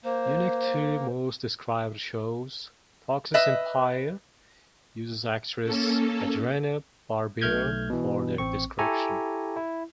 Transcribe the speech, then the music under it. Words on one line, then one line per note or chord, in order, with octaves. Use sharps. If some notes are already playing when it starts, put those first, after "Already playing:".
Unique to most described shows, Fox's "Empire" uses actress Adrienne Barbeau for their description.
A#3 C5
B4 D#5 E5
A#3 C#4 A4
B1 A3 F6 G6 G#6
B2 E3
A1 C4 C#6
E4 G4 A4 G#5 A#5 C#6
E4